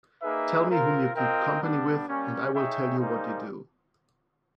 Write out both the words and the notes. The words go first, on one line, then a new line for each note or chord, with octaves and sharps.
Tell me whom you keep company with, and I will tell you what you do.
A#3 D#4 G#4 B4 E5
C4 F4 A#4
C4 F4 A#4 D#5 G5
G3 B3 D4
G3 A#3 C#4
D#4 G#4 C#5 E5 G5
G3 A#3 D#4 G#4 C5